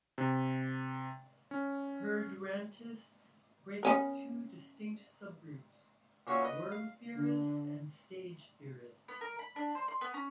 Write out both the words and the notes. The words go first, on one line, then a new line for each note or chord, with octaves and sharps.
Perdurantists break into two distinct sub-groups: worm theorists and stage theorists.
C3
C#4
B3 C#4 A#4
A#2 C#4 F#4 C#5 E5
B4 D#5
F5
D3
B3
A#4
B5
D4
C5
C6
B3
C#4